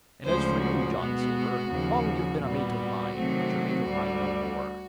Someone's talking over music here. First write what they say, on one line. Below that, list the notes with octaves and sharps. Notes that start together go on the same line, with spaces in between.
And as for you, John Silver, long you've been a mate of mine, but you're mate of mine no more.
D2 C#3 F3 G#3 C5
F#4
B2 G#3 B3
D#2 C#3 F3
A#2 G3 B3 F#4
C3 D#3 F#3 A3 C4
D2 D3 G3